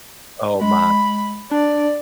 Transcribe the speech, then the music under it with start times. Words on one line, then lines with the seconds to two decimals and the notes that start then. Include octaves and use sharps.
Oh my.
0.61 G#3 B5
1.51 D4 D5